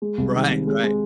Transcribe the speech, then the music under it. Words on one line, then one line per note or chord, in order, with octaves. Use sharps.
Right, right.
G#3
C2
D#3
C3
G#3
G#3